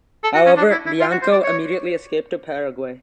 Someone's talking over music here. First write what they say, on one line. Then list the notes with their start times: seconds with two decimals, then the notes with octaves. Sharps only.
However, Bianco immediately escaped to Paraguay.
0.24 A4
0.35 F#4
0.46 C#4
0.57 D4
0.71 E4
0.86 E4
1.01 F4
1.11 F#4
1.22 C5
1.32 D5
1.44 C#5